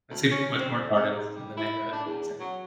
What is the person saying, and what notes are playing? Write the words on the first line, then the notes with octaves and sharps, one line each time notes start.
I see much more gardens in the neighborhood, for example.
D2
C#4
C4
F2
C3
G#2
G3
E4
D4
E2
F#3